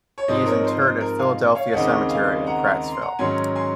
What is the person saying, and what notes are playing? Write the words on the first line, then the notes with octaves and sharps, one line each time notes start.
He is interred at Philadelphia Cemetery in Prattsville.
C#5
G#2 F3 C4 D#4 C5 D#5
A#4 C#5
C5
C5
A#4
F5 G#5
C#5 F5
D#2 C#3 G#3 C4 D#4 D#5 F#5
F5 G#5
F#5 A#5
A#5
C6
F#5 A#5
G#2 D#3 F#3 C#4 G#5 C6
G#5 C6